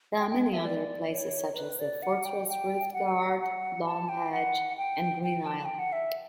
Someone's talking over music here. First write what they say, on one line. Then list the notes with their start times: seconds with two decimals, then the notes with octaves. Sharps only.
There are many other places, such as the fortress Riftgard, Loamhedge, and Green Isle.
0.20 G5
0.30 G5
0.42 G5
0.53 E5
0.65 D5
1.11 C#5
1.56 B4
1.80 D5
2.03 F#5
2.25 G5
2.49 G5
2.94 F#5
3.40 F#5
3.86 A5
4.09 G5
4.32 F#5
4.78 G5
5.23 G5
5.46 A5
5.65 G5
5.79 F#5
5.93 E5